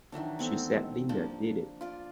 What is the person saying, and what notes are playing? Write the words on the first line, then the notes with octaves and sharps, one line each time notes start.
She said Linda did it!
D#3 E3 F#3 D4
B3 C4 A4
F3 A#3 D4
F4 D5